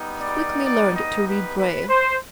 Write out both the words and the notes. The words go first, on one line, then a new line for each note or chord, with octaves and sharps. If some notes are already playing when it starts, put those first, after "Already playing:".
He quickly learned to read Braille.
Already playing: G3 B3 D#4
D5
D5
D#5
B4
B4
C5